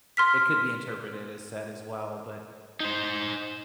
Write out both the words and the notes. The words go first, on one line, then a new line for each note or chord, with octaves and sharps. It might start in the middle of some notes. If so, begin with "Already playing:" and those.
it could be interpreted as set as well. But,
C6 F6 B6
D#4 C5